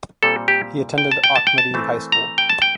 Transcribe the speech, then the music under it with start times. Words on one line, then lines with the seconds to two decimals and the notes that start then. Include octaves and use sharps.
He attended Auchmuty High School.
0.23 A#2 G3 C4 A4
0.48 G4
0.98 G5
1.11 A5
1.24 G5
1.36 A5
1.47 G5
1.58 A5
1.74 E3 A3 C4
2.12 A#5
2.38 G5
2.49 A5
2.62 G5